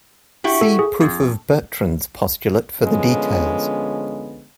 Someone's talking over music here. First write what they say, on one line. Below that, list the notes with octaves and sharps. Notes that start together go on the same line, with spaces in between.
See proof of Bertrand's postulate for the details.
E4 F#4 G4
A4
G#4
F2
D3 F3 G#3 B3 C#4